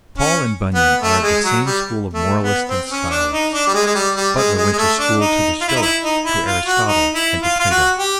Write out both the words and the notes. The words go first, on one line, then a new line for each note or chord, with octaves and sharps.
Paul and Bunyan are of the same school of moralists and stylists; Butler went to school to the Stoics, to Aristotle, and to Plato.
C#4
B3
A3
G#3
F#3
G3
A3
B3
C4
C#4
D4
D#4
D4
G3
G#3
G#3
G3
G3
G#3
G#3
G#3
A3
D4
D#4
F4
E4
D#4
E4
D#4
E4
F4
F#4
D#4
E4
F4
F4
F#4
G4